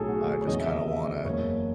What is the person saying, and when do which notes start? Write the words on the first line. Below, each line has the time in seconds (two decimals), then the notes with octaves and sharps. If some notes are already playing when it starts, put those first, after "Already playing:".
I just kinda want a
Already playing: B1 A2 F#3 A3 G#4 A4
0.08 F#4
0.41 C#5
0.46 E2 C#3 E3 D#5
0.60 E5
0.73 D#5
0.86 E5
1.06 D#5
1.25 F#1 E2 C#3 C#5